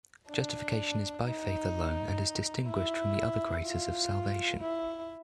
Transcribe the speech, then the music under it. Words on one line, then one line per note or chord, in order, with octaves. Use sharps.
Justification is by faith alone and is distinguished from the other graces of salvation.
D4
D#4
E4
F4
E4